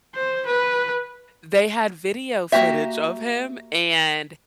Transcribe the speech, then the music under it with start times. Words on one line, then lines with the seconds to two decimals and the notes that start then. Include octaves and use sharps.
they had video footage of him, and
0.15 C5
0.46 B4
2.52 A#3 C4 F#4 G4 E5